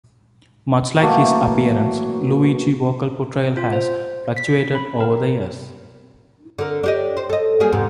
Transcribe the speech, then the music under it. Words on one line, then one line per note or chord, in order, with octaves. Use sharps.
Much like his appearance, Luigi's vocal portrayal has fluctuated over the years.
E3 F#3 A3 A#3
F4
C5
B6
B5
A#4
D3 A#4
D4 G4 D#5
C5
A4 D#5
G3 A#3 G#4
E2 G#2 C3